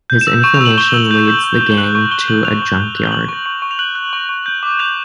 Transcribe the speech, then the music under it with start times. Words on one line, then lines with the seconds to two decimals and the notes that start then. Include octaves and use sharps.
His information leads the gang to a junkyard.
0.10 G6
0.21 E7
0.27 E6
0.43 C#6 E7
0.54 F7
0.60 E6
0.65 F#7
0.78 C#6 G7
0.94 E6
1.11 G6
1.28 G6
1.44 E6
1.61 C#6
1.72 G7
1.77 F#6 F#7
1.95 C#6
2.11 C#6 G7
2.28 F#6 F#7
2.44 F#6 F7
2.62 C#6
2.79 F#6
2.95 F#6
3.05 G7
3.12 F#6 F#7
3.29 C#6
3.46 C#6
3.62 C#6
3.71 F7
3.79 F#6 F#7
3.95 F#6
4.13 C#6
4.29 C#6
4.46 G6
4.63 D6
4.79 G6 F7